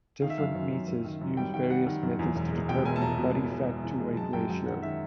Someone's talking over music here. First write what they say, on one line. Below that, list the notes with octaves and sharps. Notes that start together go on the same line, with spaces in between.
Different meters use various methods to determine the body fat to weight ratio.
D#3 F5
E5
F#2 F5
F#2
F#2
F#2
D#3
F#2
G3 G5
D#3 G5
G3 F#5
D#3
F#2
E2
E1
G#3
B2 G5
E1 G#5
A5
E1 A#5
B2
E1
E1
E1
E2
G#3
F#2 A5
F#2 G5
F#2 G5
D#3 F#5
D#3 E5